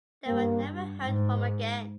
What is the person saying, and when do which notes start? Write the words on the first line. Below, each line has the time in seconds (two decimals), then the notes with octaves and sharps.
They were never heard from again.
0.27 G2 A#3
1.02 G#2